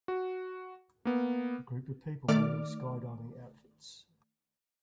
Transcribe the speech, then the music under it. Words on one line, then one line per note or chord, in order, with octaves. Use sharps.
A group of people wearing skydiving outfits.
F#4
A#3 B3
D#3 A3 D5 D6 F6